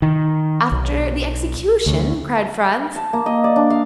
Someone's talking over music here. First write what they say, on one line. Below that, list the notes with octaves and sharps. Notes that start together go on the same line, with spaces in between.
"After the execution?" cried Franz.
D#3
B1
D2
A5
A#3
D#5
D5
D4
F5